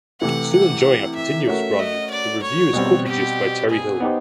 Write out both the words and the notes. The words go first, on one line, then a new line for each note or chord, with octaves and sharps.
Still enjoying a continuous run, the revue is co-produced by Terry Hill.
C3 E3 A3 F#5
F#5
E5
A3 C#4 F#4 A#4 E5
D#5
D5
C#5
B2 G3 C4
G4
G#4
B3 D#4 G4 C5